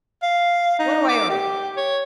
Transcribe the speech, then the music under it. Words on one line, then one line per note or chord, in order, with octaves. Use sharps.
"What do I owe you?"
F5
D#4
D6
G4
C#5